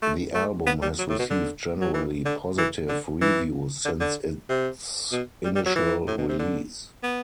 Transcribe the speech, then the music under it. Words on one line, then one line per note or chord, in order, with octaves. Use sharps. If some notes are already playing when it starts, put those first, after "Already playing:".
The album has received generally positive reviews since its initial release.
A3
A3
B3
G3
F#3
A2
B2
D3
F#3
E3
D3
E3
D3
E3
D3
D3
C3
B2
G3
G3
F#3
E3
A2
B2
C3
D3
B3